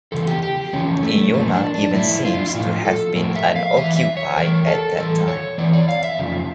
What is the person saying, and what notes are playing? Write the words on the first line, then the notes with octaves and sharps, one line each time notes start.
Iona even seems to have been unoccupied at that time.
E2 C#3 F3 A4
G4
G4
E2 C#3 F3 C#4
A3
A2 F3 A#3
D4
D4
A2 F3 E4
F4
D4
E4
A2 F3 F4
A4
A2 F3 A#4
E5
F5
E2 E3 E5
E5
C#5
E2 E3 A#4
A4
E2 E3 A4
C#5
E2 E3 D5
D5
F5
E5
F2 C#3 F3